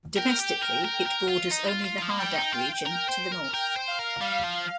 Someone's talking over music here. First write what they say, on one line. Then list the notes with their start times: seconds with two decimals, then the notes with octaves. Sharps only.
Domestically, it borders only the Hardap Region, to the north.
0.16 A#4 G5
0.39 G4
0.61 A#4
0.84 A#4
1.06 A#4
1.29 F4
1.52 D#4
1.68 F4
1.85 F4
2.02 F3
2.10 A#3
2.19 G3 G5
2.36 D#4
2.53 F4
2.86 A#4
3.09 C5
3.32 A#4
3.53 A#4 G5
3.76 C5
3.88 F5
3.99 A#4
4.21 G3 F5
4.44 F3